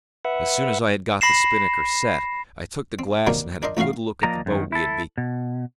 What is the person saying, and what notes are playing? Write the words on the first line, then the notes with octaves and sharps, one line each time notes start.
As soon as I had got the spinnaker set, I took the glass and had a good look at the boat we had beaten off.
B4 E5 F#5
B5 A#6 C7 E7
C4
C3 D#3 F#3 A#3 D4 A#4
D4 A#4 C5 D#5
A1 A3 C#4 F#4 F5
F3 A#3 D5 D#5 A#5
F#2 D#3
E4 A4
B2